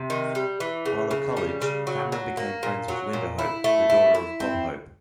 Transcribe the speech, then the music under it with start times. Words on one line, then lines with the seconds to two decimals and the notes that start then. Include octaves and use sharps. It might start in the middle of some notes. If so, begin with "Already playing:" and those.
While at college, Cameron became friends with Linda Hope, the daughter of Bob Hope.
Already playing: C3
0.10 D#3
0.35 G3
0.60 E3
0.86 C#3
1.11 C#3
1.37 G3
1.62 C#3
1.87 F#3
2.12 F#3
2.37 A#3
2.63 A#2
2.88 F#3
3.13 A#2
3.39 E4
3.64 A3
3.90 E4
4.15 E4
4.40 C4